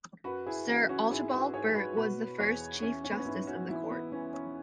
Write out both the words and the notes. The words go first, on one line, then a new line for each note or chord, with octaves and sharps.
Sir Archibald Burt was the first Chief Justice of the court.
F#2 F#4 B4
E4 G#4
E3 C#4 F#4
C#4 F#4
G#2 E4 G#4
F#4 B4
G#2 G#4 C#5
G#4
F#4 B4
B2 F#4 B4
E2 G#4 C#5
E3 C#4
C#4
B3
C#4
G#2 B3 E4
C#4 F#4
E3 B3 E4
B3
E3 C#4
C#4